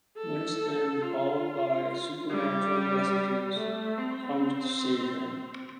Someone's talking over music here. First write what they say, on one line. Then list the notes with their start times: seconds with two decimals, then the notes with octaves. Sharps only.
Winston, called by supernatural messages, comes to save him.
0.17 A4
1.02 F4
2.29 G3
3.56 A3
3.98 C4